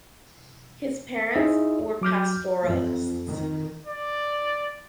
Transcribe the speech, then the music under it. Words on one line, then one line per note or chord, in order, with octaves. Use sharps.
His parents were pastoralists.
D#4 E4 G#4 D#5 E5
F#3 D6 F6 G6
F2
D#3
D5